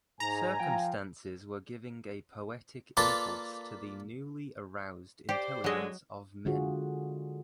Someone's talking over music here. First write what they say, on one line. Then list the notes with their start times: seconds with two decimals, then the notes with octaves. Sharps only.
Circumstances were giving a poetic impulse to the newly-aroused intelligence of men.
0.20 G#2 G#5 A#5
0.60 F3 F5 G5
2.97 A#3 F4 A4 B4 D5
5.29 G4 C5 D5
5.64 D3 F#3 G#3 D#5
6.45 D3 G#3 F4 F#4 G#4